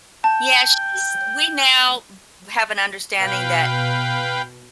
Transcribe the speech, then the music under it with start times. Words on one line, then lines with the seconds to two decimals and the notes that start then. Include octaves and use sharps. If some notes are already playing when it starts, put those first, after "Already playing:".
Yeah, she’s we now, mm, have an understanding that,
0.24 G5 A5
3.19 B2 B4 F5 G5